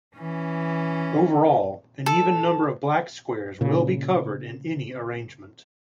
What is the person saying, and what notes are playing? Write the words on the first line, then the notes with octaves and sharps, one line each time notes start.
Overall, an even number of black squares will be covered in any arrangement.
E3 C#4
A4
A#2 C#3